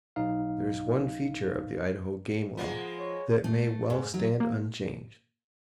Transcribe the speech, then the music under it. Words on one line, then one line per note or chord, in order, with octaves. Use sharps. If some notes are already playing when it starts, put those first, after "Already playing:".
There is one feature of the Idaho game law that may well stand unchanged.
B1 D#4 F5
F3 G#3 A#3 B3
C#5
A3
G#2
F#3
A#3